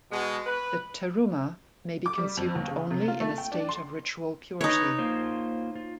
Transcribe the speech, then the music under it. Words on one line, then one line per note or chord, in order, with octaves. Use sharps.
The "terumah" may be consumed only in a state of ritual purity.
B2 G#3
B4
D6
G3
F2
D#2
C#3
C3
F4
A3
G5
D4
C6
D#4 B4 C#5
A#3 F4 C5
F4